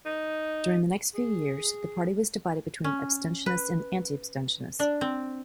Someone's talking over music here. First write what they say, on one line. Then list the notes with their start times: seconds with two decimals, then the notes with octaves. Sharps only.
During the next few years, the party was divided between abstentionists and anti-abstentionists.
0.06 D#4
1.14 G#4
2.84 C#4
3.46 B4
4.80 D4
5.01 C4